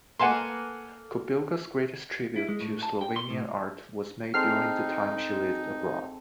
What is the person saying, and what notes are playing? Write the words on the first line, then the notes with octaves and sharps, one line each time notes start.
Kobilca's greatest tribute to Slovenian art was made during the time she lived abroad.
A#3 A4 B4 F#5 G#5 C6
E4
G#3
A2
A5
G5
C6
A2
G#3 C4 D#4 A4 F6 C7